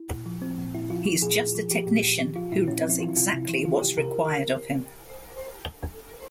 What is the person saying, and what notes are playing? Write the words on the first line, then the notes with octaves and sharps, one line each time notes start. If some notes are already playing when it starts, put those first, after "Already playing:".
He's just a technician who does exactly what's required of him.
Already playing: E4
A#2
F3
F3 C4
A#2
A#2 E4
F3 F4
F3
A#2 G#4
A#2
F3
F3 G4
A#2
A#2
F3
F3 F4
A#2 E4
A#2 C#4
C4
F3
E4
E3 F4
C3 F4
C3 E4
E3
E3 F4
C3 G4
C3 A#4